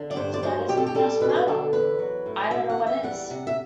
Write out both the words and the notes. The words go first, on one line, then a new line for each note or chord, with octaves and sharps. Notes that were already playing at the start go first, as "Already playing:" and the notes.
If that's not mass murder, I don't know what is.
Already playing: D3
D5
G2 C5
D5
F#3 C5
B2 G4
A4
G4
G3 A4
B2 B4
C5
B4
D3 A4
E2 B4
F#3
A2
B2 E5
F#5
E2
E5
G3 F#5
C3 F#5
E5